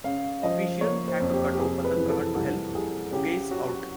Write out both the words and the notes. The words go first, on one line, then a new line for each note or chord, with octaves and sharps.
Officials had to cut open the car to help Ongais out.
C#3 F5
F3 D#5
A#3 C#5
C5
F2
G4
G4
C3 G#4
B4
E3
A4
C2
C2 G#4
C#3 G4
F#3 F#4